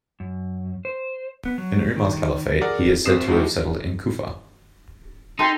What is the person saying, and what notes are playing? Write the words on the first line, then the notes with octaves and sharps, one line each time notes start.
In Umar's caliphate he is said to have settled in Kufa.
F#2
C5
B3
F#3
D#3
G#4 A#4 D5 F#5
A#1 C4 D#6 C7 E7
F3 G#3 D#4 E4 F#4 G4
D#4 A4 G5 C6